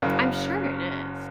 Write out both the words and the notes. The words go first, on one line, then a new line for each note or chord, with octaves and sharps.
I'm sure it is.
F#1 F#2 C#3